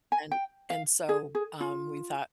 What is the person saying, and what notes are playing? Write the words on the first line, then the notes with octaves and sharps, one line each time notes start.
and and so, um, we thought,
G#5
G5
F5
G#4
G#4
F4